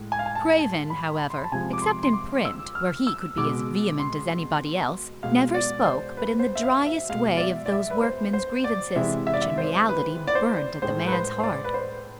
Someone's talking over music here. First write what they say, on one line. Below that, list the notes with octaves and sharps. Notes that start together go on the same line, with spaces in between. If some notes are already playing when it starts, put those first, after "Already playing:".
Craven, however, except in print, where he could be as vehement as anybody else, never spoke but in the driest way of those workman's grievances, which in reality burnt at the man's heart.
Already playing: A2 G#3
G#5
F5
G#5
A5
A5
B5
C6
B5
A5
C3 F3 G#3 G#5
D6
C6
C6
D6
E6
F6
E6
B2 G#3 D6
C6
B2 G#3 F5
D5
C5
B4
C5
E5
F5
E5
B2 G#3 F5
D5
E5
D5
E5
B4
C5
C5
D5
C3 E3 G#3 E5
E5
D5
E5
C5
B4
D5
C5
A2 G#3 C5
B4
C5
C5
D5
B4
C5